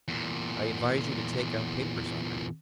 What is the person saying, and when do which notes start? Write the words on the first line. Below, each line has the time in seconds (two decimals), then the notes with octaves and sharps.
"I advise you to take out papers on that."
0.08 E2 A#2